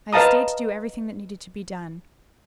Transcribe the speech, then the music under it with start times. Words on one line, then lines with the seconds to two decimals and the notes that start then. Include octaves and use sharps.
I have stayed to do everything that needed to be done.
0.13 B4 D#5 F5 A5 A#5 D#6